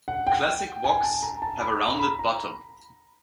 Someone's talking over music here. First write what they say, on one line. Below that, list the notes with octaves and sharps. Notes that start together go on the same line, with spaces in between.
Classic woks have a rounded bottom.
F#5
G5
G#5
A5
A#5
A5
B5
A#5
B5
A#5